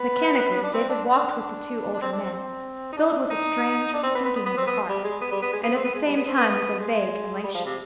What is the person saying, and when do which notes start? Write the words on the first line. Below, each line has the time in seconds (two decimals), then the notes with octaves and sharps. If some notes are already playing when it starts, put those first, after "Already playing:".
Mechanically David walked with the two older men, filled with a strange sinking of the heart, and at the same time with a vague elation.
Already playing: B3
0.63 D4
0.74 C4
0.89 D4
1.06 B3
1.12 C4
1.16 D4
1.27 D4
1.38 D4
1.94 D4
2.02 C4
2.12 D4
2.23 C4
2.33 C4
2.92 D#4
2.97 D4
3.30 D#4
3.94 D4
4.03 C4
4.15 B3
4.25 B3
4.36 B3
4.46 B3
4.57 C4
4.67 B3
4.89 G3
5.04 G#3
5.21 B3
5.31 G3
5.42 B3
5.53 G#3
5.63 B3
5.74 C4
5.84 B3
5.95 G#3
6.06 G3
6.16 B3
6.27 C4
6.37 B3
6.48 B3
6.79 G#3
7.44 G3
7.54 F3
7.66 C3